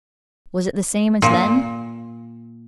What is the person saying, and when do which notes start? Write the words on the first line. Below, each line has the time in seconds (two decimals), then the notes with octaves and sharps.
Was it the same as then?
1.22 A#2